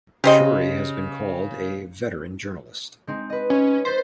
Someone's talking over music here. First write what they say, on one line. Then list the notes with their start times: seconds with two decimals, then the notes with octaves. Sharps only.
Shourie has been called a "veteran journalist".
0.24 C#3 G4 C5 D#5
3.07 G#3 C4 D#4
3.30 B4 D#5
3.50 C#4
3.85 B4 C5 A6 B6